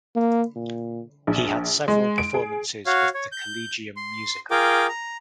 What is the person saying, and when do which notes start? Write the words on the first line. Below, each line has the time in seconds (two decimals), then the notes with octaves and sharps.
He had several performances with the Collegium musicum.
0.16 A#3
0.56 A#2
1.27 A#1
1.88 G#3
2.18 D7
2.34 G#4
2.86 F#4 C#5 F5
3.14 C#5
3.32 G6
3.96 C6
4.51 F4 G#4 A#4 G5 D6
4.89 A#5